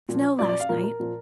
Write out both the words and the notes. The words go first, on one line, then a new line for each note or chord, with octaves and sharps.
Snow last night.
A#2
F3
A#2 F3 D5
D5
F5
A#2 F3 A#4
A#4
A#2 F3